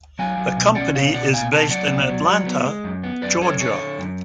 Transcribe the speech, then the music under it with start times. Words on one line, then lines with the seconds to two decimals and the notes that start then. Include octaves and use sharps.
The company is based in Atlanta, Georgia.
0.19 F#3 F5 G#5
0.38 F#3
0.57 B2
0.75 C#4 D5 F#5
0.95 B2 C#5 F5
1.13 B2 D5 F#5
1.33 B2 F5 G#5
1.52 B2 F#5 A5
1.70 F#3 D5 F#5
1.90 B2
2.09 F#3
2.28 F#3
2.47 B3
2.66 G#3
2.84 F#2
3.04 B3
3.22 F#2 B4 D5
3.41 F#2 A4 C#5
3.60 D3 A4 C#5
3.80 D3
3.99 F#2